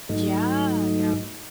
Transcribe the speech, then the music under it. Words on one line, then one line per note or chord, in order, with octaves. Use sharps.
Yeah, yeah.
G#2 F#3 A3 D#4